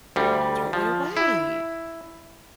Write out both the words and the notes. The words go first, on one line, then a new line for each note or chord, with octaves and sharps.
Throw it away.
D2 G3
F3
E4